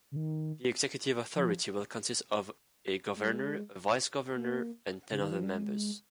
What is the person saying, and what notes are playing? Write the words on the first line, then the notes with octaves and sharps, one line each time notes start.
The executive authority will consist of a governor a vice-governor and ten other members.
C#3
D#3
F3
G#3
G3
G#3
A#3
C#3
D#3
F3
G3
G#3